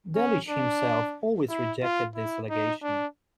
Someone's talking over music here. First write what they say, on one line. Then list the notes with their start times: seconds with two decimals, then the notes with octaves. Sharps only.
Delitzsch himself always rejected this allegation.
0.15 C#4
0.48 D4
1.49 E4
1.83 F4
2.15 E4
2.50 D#4
2.83 D4